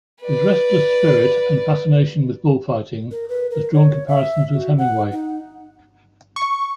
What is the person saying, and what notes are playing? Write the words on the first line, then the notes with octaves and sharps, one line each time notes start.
His restless spirit and fascination with bullfighting has drawn comparisons with Hemingway.
B4 D5
A#4
B4
A#4
C#5
E5
F#4
F#5
D#4
C#6